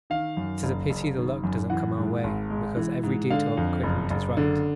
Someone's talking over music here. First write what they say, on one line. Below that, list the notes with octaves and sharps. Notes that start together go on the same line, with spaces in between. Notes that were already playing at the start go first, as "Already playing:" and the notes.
'It is a pity the luck doesn't come our way, because every detail of equipment is right.
D#3 F5
F#2
F#1
F#1
D#3
F#2
E3 F#5
G#2
G#1
G#3
E3
G#2
D3 F5
F2
F#1
F#1
D3